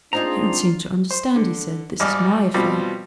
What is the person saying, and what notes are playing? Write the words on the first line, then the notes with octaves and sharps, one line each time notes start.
"You don't seem to understand," he said, "this is my affair."
A#3 C4 D4 D#4 F4 G#4 A#5
C5
D3
G#1 G#2 G3 D5 D#5 F6
B2 F3 G3 C4